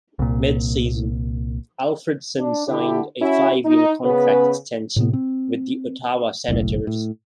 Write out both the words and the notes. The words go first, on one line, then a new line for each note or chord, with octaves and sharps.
Mid-season, Alfredsson signed a five-year contract extension with the Ottawa Senators.
C2 A#2
D4
D3 E4 G4
C#4 E4 F#4
D#4
C#3 B3 B4
A2 C3 B3
C4
F#1 B1 A2
A2